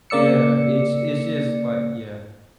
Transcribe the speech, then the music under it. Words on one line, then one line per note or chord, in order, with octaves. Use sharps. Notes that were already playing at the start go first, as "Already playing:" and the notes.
Yeah, it's it's just, like yeah.
C#3 A#3 D5 E6 C#7